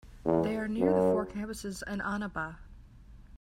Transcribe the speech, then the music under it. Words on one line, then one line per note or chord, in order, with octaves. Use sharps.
They are near the four campuses in Annaba.
E2
F#2